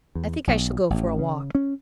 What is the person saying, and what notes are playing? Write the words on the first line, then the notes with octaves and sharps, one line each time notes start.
"I think I shall go for a walk."
E2
B1
A1
C#3
C#4